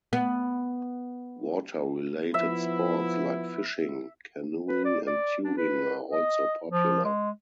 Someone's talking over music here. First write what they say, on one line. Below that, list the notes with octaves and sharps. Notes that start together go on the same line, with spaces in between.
Water related sports like fishing, canoeing and tubing are also popular.
B3
F3 B3 E4 E5
B4
D5
D5
D4
B4
D#5
F3
G#3